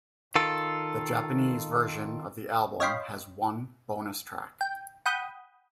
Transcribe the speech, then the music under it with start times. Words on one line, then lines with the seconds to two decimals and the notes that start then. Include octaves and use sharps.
The Japanese version of the album has one bonus track.
0.36 D#3 F4 A4
2.80 C#5 D#5 F5 G5 B5 C6
4.61 G5
5.06 F#5 G5 B5 D#6 G6